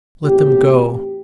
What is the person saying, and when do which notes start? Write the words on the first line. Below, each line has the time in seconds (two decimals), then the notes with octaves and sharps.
Let them go!
0.25 E2 A2 C4 F#4 G4